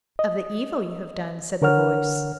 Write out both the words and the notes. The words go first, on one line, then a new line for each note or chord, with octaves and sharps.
"Of the evil you have done," said the voice.
D#5
D3 A#4 C#5 F#5 F6